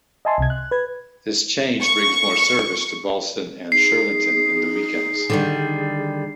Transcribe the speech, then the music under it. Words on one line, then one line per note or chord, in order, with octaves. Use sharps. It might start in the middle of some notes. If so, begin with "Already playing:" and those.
This change brings more service to Ballston and Shirlington in the weekends.
D#5 E5 G#5 A5 C6
C2 C3 G#6
F#6
B4 G#6
C#6
D#4 G#4 C7
D3 D#3 G3